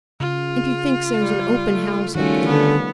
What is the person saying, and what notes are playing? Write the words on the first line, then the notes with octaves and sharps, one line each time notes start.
"And he thinks there's an open house up there."
C#3 F4
G3
A3
D#3 G3 A3 C#4 F4 F#4
D3 B3